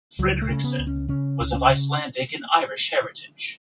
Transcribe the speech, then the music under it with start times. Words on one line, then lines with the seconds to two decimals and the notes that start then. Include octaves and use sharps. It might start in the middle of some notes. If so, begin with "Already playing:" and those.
Fredrickson was of Icelandic and Irish heritage.
0.19 C#2 F#3
0.42 A3
0.49 C#3
0.64 B3
0.79 C#2
0.87 C#4
1.08 C#3 C#4
1.40 C#2
1.55 C#4
1.69 C#3